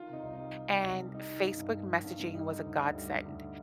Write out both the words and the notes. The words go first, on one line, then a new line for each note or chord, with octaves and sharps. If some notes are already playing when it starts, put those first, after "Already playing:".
and Facebook messaging was a godsend,
Already playing: D#3 F4
C3 D#4
C2
D#4
G3
D#3
C3
C2
G3
G3 D#4
D#3
G2
G2
G3
D#3
G2
G2
G3 D#4
D3
D2
D2
G3
D3
D2